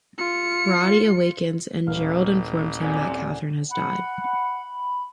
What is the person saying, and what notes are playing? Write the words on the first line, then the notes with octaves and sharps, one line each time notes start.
Roddy awakens and Gerald informs him that Katherine has died.
F4 C#7
D#1 A1 B4 F5
C3 G#4 D5 F#5
F#5 B5